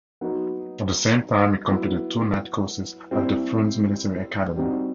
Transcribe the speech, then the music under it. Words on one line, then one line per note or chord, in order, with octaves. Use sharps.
At the same time he completed two night courses at the Frunze Military Academy.
F#3 B3 D#4
F#3 B3 E4
G3 C4 E4
G3 C4 D#4 F#4